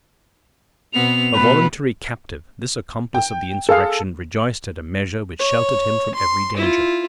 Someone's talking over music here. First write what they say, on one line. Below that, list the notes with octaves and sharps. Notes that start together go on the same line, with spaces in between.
A voluntary captive, this accomplice of the insurrection rejoiced at a measure which sheltered him from every danger.
B2 B3 C4 F7
B2 A3 B4
G5
G#4 A4 F5
C#5
C6
E4 F4